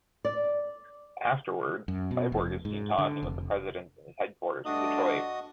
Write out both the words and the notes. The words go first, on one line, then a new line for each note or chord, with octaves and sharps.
Afterwards, Cyborg is seen talking with the President in his headquarters in Detroit.
D5
F#2
B2
F1
G#2
D3
F1
G2 A3 D4 F#4 D#5 D#6